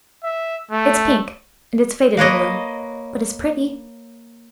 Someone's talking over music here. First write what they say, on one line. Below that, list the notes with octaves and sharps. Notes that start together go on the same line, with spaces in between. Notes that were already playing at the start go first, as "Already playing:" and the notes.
It's pink, and it's faded a little, but it's pretty.
E5
A3
A#3 B4 C#5 D#5